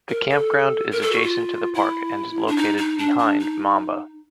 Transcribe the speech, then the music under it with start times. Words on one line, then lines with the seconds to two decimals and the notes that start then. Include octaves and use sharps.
The campground is adjacent to the park, and is located "behind" Mamba.
0.09 A#4
0.30 A4
0.91 A#4
1.02 A4
1.12 F#4
1.23 F4
1.74 E4
2.47 D4
2.57 D#4
2.78 D#4
2.99 D4
3.18 D4
3.40 D#4